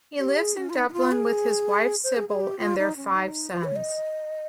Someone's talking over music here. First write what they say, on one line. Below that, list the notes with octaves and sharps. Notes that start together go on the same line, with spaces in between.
He lives in Dublin with his wife Sibylle and their five sons.
G4
G#4
C#4
F4
D#4
D#4
F4
G#4
C5
G#4
G#4
G4
F4
D#4
C#4
D#4
F4
C#5
D#5